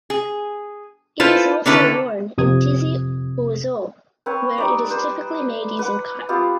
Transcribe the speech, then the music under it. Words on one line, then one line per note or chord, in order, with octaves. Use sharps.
It is also worn in Tizi Ouzou where it is typically made using cotton.
G#4
E4 F4 A4 B4 C5
D3 D#3 C#4 E4 A4 B4
F2 C3 D#6 G#6
C4 B4 C#5
G3 D#4 D5
B4 C5
B4 F#5
B3 C4 F4 G4